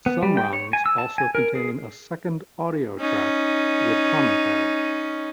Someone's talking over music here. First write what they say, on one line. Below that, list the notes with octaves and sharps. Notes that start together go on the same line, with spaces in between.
Some runs also contain a second audio track with commentary.
B3
G3
G5
C#5
G#5
E6
A5
G#5
A#4
G#4
C#4 D#4